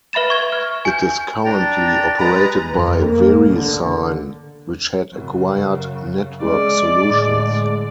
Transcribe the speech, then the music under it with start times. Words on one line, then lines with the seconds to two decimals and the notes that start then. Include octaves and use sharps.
It is currently operated by VeriSign, which had acquired Network Solutions.
0.13 B4 E5 B5 A6 E7
0.30 C#6 G#6
0.52 F6
0.85 G#5 G6
1.45 D4 G5 A#5 A6
2.19 G#3 B4 A#5
2.72 F2
3.02 A#3
3.50 D3
5.12 F#2 C#3
6.44 G#3 C#4 D5
7.02 A2 D3